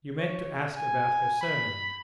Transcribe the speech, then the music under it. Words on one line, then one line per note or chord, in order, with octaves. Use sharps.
You meant to ask about her surname.
C#5
G#5
B5